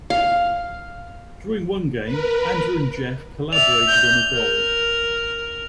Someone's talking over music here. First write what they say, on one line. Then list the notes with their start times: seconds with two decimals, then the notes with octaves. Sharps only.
During one game, Andrew and Geoff collaborated on a goal.
0.10 F5
2.04 A#4 B4
3.53 D5 E5 F7
3.88 G6
4.34 A#4